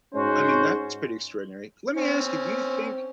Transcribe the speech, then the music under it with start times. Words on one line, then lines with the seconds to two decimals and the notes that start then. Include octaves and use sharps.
I mean that is pretty extraordinary. Let me ask you, do you think
0.14 G#2 G#3 C#4 F#4 C5
1.97 C4 C#4